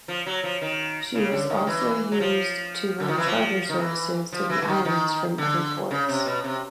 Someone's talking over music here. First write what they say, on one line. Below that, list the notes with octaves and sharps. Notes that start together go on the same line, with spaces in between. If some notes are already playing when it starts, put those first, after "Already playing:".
She was also used to run charter services to the Islands from other ports.
F3
F#3
F3
D#3
C#3
D3
D#3
E3
F#3
F3
D3
D#3
E3
F3
D#3
E3
F3
E3
E3
D#3
D#3
D3
C#3
C3
B2
C3